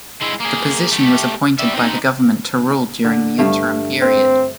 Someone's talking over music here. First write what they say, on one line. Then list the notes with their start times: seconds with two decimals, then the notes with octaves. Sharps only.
The position was appointed by the government to rule during the interim period.
0.22 G#3 E4
0.41 A#3 G#4
0.92 A3 G4
1.59 G3 E5
1.74 C4 D#4
3.05 D3
3.38 G2 A3 F5
4.01 C4